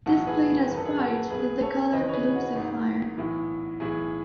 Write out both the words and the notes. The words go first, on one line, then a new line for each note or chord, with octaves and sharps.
Displayed as right is the color blue sapphire.
B1 A2 E3 F#4 A4
G#4 B4
G#1 F#2 D#3 B4
A4
G#4 B4
F#4 A4
B1 B2 G#4 B4
A4 C#5
D#2 C#3 E3 B4 D#5
C#5
G#4 B4
F#4
G#1 G#2 D#3
B1 A2 E3
B1 A2 E3 G#4